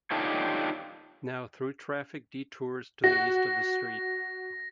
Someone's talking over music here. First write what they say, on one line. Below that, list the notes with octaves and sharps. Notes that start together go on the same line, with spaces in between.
Now through traffic detours to the east of the street.
D4 D#4 F4 G4 A4 C#5
F#4 A#6